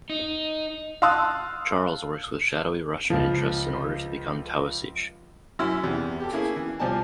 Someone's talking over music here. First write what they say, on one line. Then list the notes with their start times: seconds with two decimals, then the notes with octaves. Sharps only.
Charles works with shadowy Russian interests in order to become Taoiseach.
0.10 D#4
1.02 F5 A5 C6 D#6 E6 F#6
3.10 C#2 F3
5.59 F#2 C#4 E4 E6
5.83 E2 C3 E3
6.20 G4 A4
6.33 A#3 C#4 E4 G#4
6.56 E3
6.79 C2 F3 C5 D5 G#5 A5